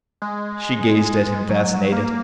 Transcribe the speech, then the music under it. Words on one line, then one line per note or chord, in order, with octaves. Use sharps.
She gazed at him fascinated.
G#3
F#3
A#3